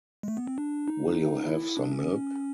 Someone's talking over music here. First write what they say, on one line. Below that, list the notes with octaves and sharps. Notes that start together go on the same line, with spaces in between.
Will you have some milk?
G#3
A3
B3
C4
D4
D#4
E4
D4
C#4